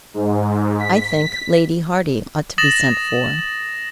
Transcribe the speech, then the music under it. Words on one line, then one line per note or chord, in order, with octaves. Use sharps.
"I think Lady Hardy ought to be sent for."
G#2
B6
D#6 A6 A#6 E7 F#7